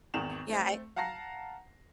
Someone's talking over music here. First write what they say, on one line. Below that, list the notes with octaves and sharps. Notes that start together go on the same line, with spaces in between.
yeah I
G#1 E2 D#3 E7 F7
A3 C4
F5 F#5 A5 A#5 A#6 C7